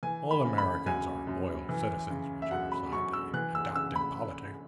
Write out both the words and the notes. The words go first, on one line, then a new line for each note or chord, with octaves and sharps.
All Americans are loyal citizens, whichever side they adopt in politics.
E3 G#5
B5
C#3
B5
F#2 G#5
F#2
E3
C#3
E5
F#2 F#5
B5
F#2 C#6
E6
E3 F#6
E6
C#3 E6
B5